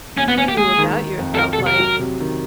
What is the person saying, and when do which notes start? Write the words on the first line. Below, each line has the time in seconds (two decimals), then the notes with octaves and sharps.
to you about yourself, Like,
0.17 D#2 C#4
0.28 B3
0.38 D#2 C#4
0.48 G4
0.57 G#3 G#4
0.78 D#3
0.99 D#3
1.19 F2
1.35 A4
1.38 F2 A#4
1.53 A4
1.59 C3
1.67 A#4
1.79 F#3
2.00 C3
2.20 D#3